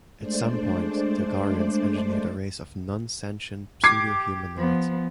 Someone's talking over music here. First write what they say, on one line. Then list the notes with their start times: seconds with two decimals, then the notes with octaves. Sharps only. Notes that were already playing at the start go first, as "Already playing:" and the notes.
At some point, Tagorians engineered a race of non-sentient "pseudo-humanoids".
0.18 G#3 A3 D4 C5 D5
3.84 G4 D6 G#6 C7
4.57 F3 B3